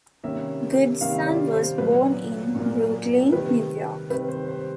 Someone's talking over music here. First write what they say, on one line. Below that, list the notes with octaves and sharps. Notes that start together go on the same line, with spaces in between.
Goodson was born in Brooklyn, New York.
C3 D#3 G3 A#3 C#4 E5
C3 D#3 G3 A#3 C#4 F5
D5
C5
A#2 F#3 A#3 B4
A#2 F#3 A#3
C3 D#3 G3 C4 B4
C3 D#3 G3 C4 B4
C5
C5